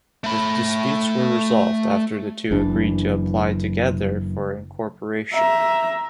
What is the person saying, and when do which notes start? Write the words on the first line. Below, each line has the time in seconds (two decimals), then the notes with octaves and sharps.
The disputes were resolved after the two agreed to apply together for incorporation.
0.24 A3 B5
2.51 F#1 E3 D4
5.33 E5 A#5